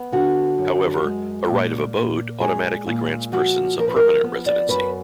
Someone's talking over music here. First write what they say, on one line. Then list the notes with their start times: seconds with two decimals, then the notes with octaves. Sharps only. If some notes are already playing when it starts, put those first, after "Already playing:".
However, a right of abode automatically grants persons a permanent residency.
Already playing: B3
0.12 D3 F#4
0.58 F#2
1.04 G#3
1.49 A#2
1.96 A#2
2.41 G#3 G#4
2.86 A#2 F4
3.32 F3 F#4
3.78 F3 A#4
3.88 B4
3.96 A#4
4.23 B3
4.46 D5
4.69 F#2 B4